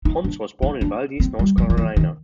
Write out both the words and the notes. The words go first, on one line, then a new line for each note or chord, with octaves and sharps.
Pons was born in Valdese, North Carolina.
D#4
D4
D#4
D4
C4
G3
F#3
F3
E3
D#3